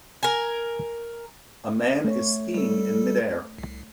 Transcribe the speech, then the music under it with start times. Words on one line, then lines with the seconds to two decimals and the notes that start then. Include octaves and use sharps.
A man is skiing in midair.
0.23 A#4 G#5
2.04 A3 C#5
2.54 G3 A4
3.58 C2